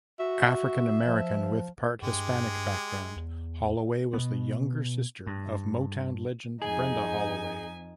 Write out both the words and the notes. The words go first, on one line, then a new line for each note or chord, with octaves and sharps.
African-American with part-Hispanic background, Holloway was the younger sister of Motown legend Brenda Holloway.
F#4 E5
F3
G2 G#3 G4
E2
B2 B3
G2
F2 D#4 G#4 G#5